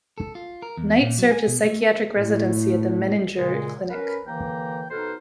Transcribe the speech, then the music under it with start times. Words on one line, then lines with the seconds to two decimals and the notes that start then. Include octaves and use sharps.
Knight served his psychiatric residency at the Menninger Clinic.
0.18 A4
0.35 F4
0.62 A#4
0.77 E2
1.01 A#2
1.18 F#3
1.31 G#5
1.47 B2
1.65 A3
1.82 A4
2.15 A2
3.38 A#2 C#3 G#3
3.90 C#4 A#4 B4
4.26 D#2 D3 E3 A#3 G5 A#5
4.91 B2 D#4 A4 B4 C5 F6